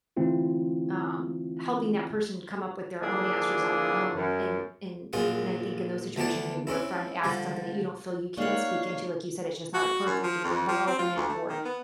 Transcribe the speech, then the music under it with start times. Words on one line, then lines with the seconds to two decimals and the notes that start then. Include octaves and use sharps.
um, helping that person come up with their own answers on their own, and and and, I think in those situations, maybe, where a friend asks something that you don't feel you can speak into, like you said, it's just not appropriate to get involved in it, or
0.17 D3 E3 A3 C4 E4 F4
3.02 D3 F3 A#3 D4 E4 G#4
4.15 F#2
5.13 A#1 F#2 F4 G#4 F#5
6.16 D2 A3 B3 D4 A5
6.67 C4 C#4 E4
7.24 D3 F3 G3
8.37 G3 A#3 D#4 C#5 F5 F#5
9.74 F#4
10.07 F#2
10.23 F3
10.44 F2
10.68 F3
10.87 C4
10.99 F4
11.16 D2
11.29 A3
11.49 D#3
11.65 B3